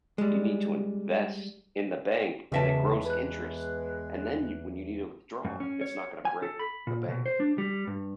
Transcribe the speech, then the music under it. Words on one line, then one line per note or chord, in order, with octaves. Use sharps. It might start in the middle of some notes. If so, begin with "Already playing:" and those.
You need to invest in the bank, and it grows interest, and then you when you need to withdrawal, it's not gonna break the bank."
G3 G#3
E2 C#3 G#3 E5 A5
B4 F#6
F#2
C#4
C#5
G#5
A4
B5
A#2
B2
C5
D4
G3
G2